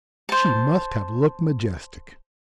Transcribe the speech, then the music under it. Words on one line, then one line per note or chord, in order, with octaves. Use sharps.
She must have looked majestic.
C5 A5